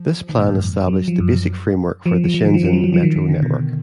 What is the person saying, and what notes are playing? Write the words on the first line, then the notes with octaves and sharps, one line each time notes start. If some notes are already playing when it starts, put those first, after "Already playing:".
This plan established the basic framework for the Shenzhen Metro network.
Already playing: F3
D#3
A#2
G#2
F#2
F#3
F3
F#2
F3
F3
F3
D#3
F3
F3
F#3
F#3
F3
D#3
D#3
D3
B2